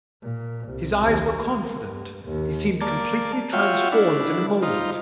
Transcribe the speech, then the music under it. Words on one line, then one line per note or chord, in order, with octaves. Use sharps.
His eyes were confident. He seemed completely transformed in a moment.
A#2
C2
D#2
A#3
G2
D#2
A#3 D5 A5
F4 F#4 C#5 E5 F5 G5
D4 E4
D#4 F4 C5